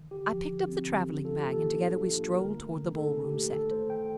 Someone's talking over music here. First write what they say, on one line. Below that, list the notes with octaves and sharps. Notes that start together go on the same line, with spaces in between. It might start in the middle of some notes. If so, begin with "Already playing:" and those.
I picked up the traveling bag and together we strolled toward the ballroom set.
Already playing: D#3
D3 G4
F3
D3
C4
D3
F3
F4 A4
A#3 G4
A4
D#3
D4
F4
A#3
D3 A#4
A3
D3
D#4 A4
D3
G4
A3
D#3 A4
A3 C5
D#3 G5